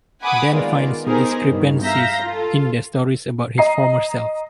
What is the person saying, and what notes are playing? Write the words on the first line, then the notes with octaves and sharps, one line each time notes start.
Dan finds discrepancies in the stories about his former self.
F#5 G#5 B5 D6 D#6
D#3 G#3 A#3 B3 F4 D5
B3 D#4 G4 G#4 A#4 C5
G2 B2 D#3
E5 F5 A#5 G6 A#6
F4 A4
D#5 A#5 C7